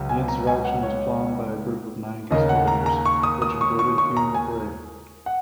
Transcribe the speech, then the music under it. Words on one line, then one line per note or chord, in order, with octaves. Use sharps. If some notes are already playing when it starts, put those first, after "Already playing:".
The insurrection was planned by a group of nine conspirators which included Hugh MacRae.
Already playing: C#2 C#3 F#3
G#5
A#5
G#5
F#5
C#5
D#2 C#3 A#3 D#5
F#5
A#5
A#5
C#6
D#6
D#6
C#6
C#6
C#6
A#5
G#5
F#5